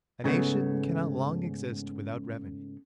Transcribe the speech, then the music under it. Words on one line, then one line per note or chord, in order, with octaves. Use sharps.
A nation cannot long exist without revenues.
G#2 C#3 A3 B3